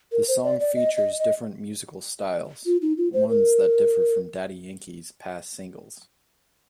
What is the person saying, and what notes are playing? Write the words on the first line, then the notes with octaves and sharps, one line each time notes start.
The song features different musical styles, ones that differ from Daddy Yankee's past singles.
A#4
C5
D5
D5
D#5
D#5
D#5
F4
D#4
F4
C5
A#4